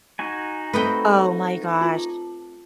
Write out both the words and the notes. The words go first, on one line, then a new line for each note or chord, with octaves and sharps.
Oh my gosh.
D#4 F#4 G#5
A3 C4 B4 D#5 G5
F4 A5